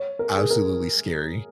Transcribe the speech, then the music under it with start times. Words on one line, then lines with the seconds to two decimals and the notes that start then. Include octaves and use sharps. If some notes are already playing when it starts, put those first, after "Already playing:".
absolutely scary.
Already playing: C#5
0.19 A#4
0.35 G#4
0.50 A#4